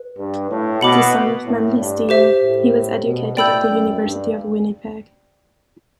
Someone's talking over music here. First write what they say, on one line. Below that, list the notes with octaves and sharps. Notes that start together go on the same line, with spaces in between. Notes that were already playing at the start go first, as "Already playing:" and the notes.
The son of Manley Steen, he was educated at the University of Winnipeg.
Already playing: B4
G2
A2
B2 F#5 B5 D6
A2
G2
G4 C5 E5
A2
B2
A2 D5 G5 B5 E6 G6
F#2
G2